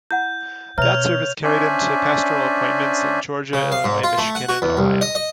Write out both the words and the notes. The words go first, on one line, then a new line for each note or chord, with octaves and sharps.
That service carried him to pastoral appointments in Georgia, Illinois, Michigan, and Ohio.
E4 F#5 G6
B2 B4 C#5 E5 A#5 F6 F7
C#4 D4 C5 D5 E5 G#5
C#3
F5
G#2
F4
A3
F#5
F#4
E2
C2
D#5
D#5